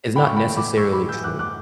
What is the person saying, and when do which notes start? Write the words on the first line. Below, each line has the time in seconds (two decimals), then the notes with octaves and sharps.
is not necessarily true.
0.15 A2 G5 B5
0.26 C#6
0.36 G5 B5
0.46 E3
0.57 B5 D6
0.77 A2 C#6 E6
0.93 B5 D6
1.08 E3 E6 G6
1.24 D6 F#6
1.39 A2 D6 F#6